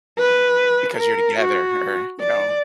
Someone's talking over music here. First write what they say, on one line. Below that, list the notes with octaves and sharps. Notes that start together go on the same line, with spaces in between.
Because you're together, or, you know.
B4
A#4
F#4
D5